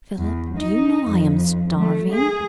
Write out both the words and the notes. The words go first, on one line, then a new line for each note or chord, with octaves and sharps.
Philip, do you know I am starving?
E2
D#4
F2
A3
G#4